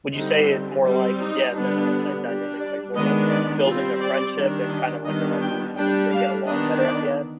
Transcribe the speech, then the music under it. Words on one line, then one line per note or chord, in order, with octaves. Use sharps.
Would you say it's more like Yeah, than a a dynamic like, more like building a friendship and kinda like the resolution as they get along better at the end?
D3 G3 C4 D#4
G3 C4
D#4
D3 G3 B3 D4
G3 D4 G4
D5
D#3 G#3 B3 D4 D#5
D5
G3 C4 F4
D5
D#3 G3 D4
D#5
D#3 G3 B3 D4 D#5
G5
G3 D4 G5
F5
D#3 B3 D4 D#5
D5